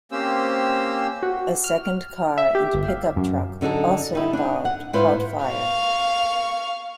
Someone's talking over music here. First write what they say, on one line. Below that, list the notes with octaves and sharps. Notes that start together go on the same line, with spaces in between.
A second car and pickup truck, also involved, caught fire.
A#3 C4 C#4 G4 C5 E6
F#4
F6
E5
G4
G1
F5
F#2
F#2 D3 D#4 G#4 A5
G3 D#4 E4
D4 D#4
F#5
G#2 B3 E4 F4 B4 C5
F5 C#6